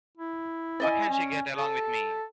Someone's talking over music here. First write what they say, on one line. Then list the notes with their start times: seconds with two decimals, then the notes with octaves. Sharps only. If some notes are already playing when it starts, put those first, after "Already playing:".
Why can't she get along with me?
0.18 E4
0.80 D5 D#5 G#5
1.09 C#4
1.56 A4